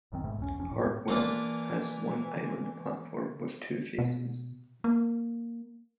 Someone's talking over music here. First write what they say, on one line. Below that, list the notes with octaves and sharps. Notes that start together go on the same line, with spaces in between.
Hartwell has one island platform with two faces.
G#1 F#2 D#3 C4
G#2 B2 A3
B1 E2 C#4
F1 F2 C#4
A2
A2
E3 A#3 D4 F4
B2
A#3